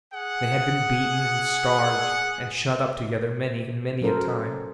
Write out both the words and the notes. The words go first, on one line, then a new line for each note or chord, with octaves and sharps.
They had been beaten, and starved, and shut up together, many and many a time.
G#4 F#5
F#3 C#4 A4 A#4 C5